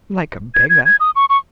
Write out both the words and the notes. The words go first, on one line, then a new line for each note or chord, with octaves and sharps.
"Like a beggar."
G#6
G#6
G#6
D#6
C#6
C#6